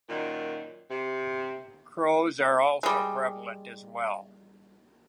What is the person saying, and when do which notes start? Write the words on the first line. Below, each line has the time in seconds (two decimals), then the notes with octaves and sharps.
Crows are also prevalent as well.
0.10 F#2 A#2 D#3
0.90 C3
2.83 G3 G#3